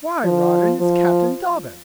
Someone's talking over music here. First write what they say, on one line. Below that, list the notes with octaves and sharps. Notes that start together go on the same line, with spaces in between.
"Why, Rawdon, it's Captain Dobbin."
F3
F3